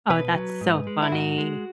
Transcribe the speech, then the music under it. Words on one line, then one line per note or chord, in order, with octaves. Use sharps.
Oh, that's so funny.
B2 B4
F#3
G#2
G#3
E4
G#2 F#4
G#3